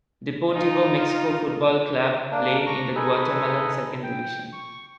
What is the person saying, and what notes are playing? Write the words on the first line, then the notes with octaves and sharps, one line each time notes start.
Deportivo Mixco football club play in the Guatemalan second division.
D#4 F4
A#3 D4
A#5 C#6
D#4 G#4 A4 B4
G5
C#6